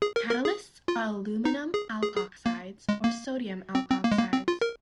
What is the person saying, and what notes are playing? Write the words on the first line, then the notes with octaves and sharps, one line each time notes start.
Catalysts are aluminium alkoxides or sodium alkoxides.
G#4
A#4
A#4
G#4
F4
D#4
G#4
G#4
G#4
A#3
G#3
A#3
C4
C4
A#3
G#3
A#3
C4
F4
A#4